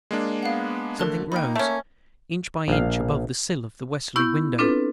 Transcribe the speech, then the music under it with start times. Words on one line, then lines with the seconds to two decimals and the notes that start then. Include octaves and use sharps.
Something rose, inch by inch, above the sill of the westerly window.
0.11 G#3 A#3 D4
0.43 B3 F5 F#5
0.99 D3 A3 A#4 A5 F#6
1.32 A#3 D#4 G5 B5
1.55 A3 C#4 E5
2.68 A#1 F5
4.16 B3 E4 C#6 G6
4.58 C4 D4 F4 A4 B4